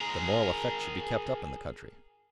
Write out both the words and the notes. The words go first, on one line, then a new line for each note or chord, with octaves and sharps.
The moral effect should be kept up in the country.
G#4 A#4